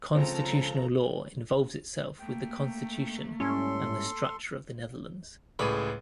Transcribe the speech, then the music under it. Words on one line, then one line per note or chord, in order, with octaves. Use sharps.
Constitutional law involves itself with the constitution and the structure of the Netherlands.
C#2 C#3 F3 C4 A4 A#5
A3 A#3 G5
G#2 G3 C#4 E4 A4 C6
C#2 A2 G#4 B4 D5 B5 D#7